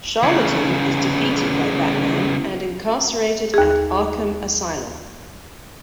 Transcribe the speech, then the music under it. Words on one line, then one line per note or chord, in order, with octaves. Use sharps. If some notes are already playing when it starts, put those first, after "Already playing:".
Charlatan is defeated by Batman and incarcerated at Arkham Asylum.
E2 C#3
D#2 G#4